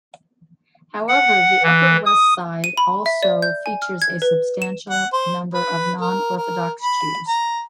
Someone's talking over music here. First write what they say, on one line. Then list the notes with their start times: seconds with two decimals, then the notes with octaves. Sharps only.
However, the Upper West Side also features a substantial number of non-Orthodox Jews.
1.09 F#5
1.63 E3
2.06 D#6
2.64 D#7
2.77 B5
3.06 E5
3.23 D5
3.42 G6
3.66 G#5
3.82 F6
4.02 G#6
4.22 B4
4.62 E7
4.90 F#5
5.13 C5
5.54 B4
6.01 A#4
6.37 A#4
6.82 B5
7.28 A#5